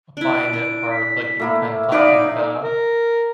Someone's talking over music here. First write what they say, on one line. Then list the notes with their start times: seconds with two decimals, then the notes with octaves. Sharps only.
find it hard, like you were kinda talking about.
0.17 D4 E4 D7
0.53 D4
0.90 B6
1.39 A3 A#3 E4
1.92 D#4 B4 C#5 D5 F5 F#5 G#5 D7
2.63 A#4